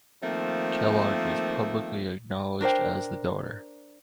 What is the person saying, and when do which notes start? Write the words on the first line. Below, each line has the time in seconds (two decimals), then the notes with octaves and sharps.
Kellogg was publicly acknowledged as the donor.
0.23 D#3 F3 A3 A#3 C4
2.61 D4 A#4 C5 G5